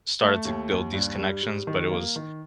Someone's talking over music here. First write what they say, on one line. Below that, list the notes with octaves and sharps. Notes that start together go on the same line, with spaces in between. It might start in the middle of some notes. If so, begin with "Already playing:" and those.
started to build these connections, but it was
A3
D#2
D#2
G2
G3
G3
D#3
A#3
D#3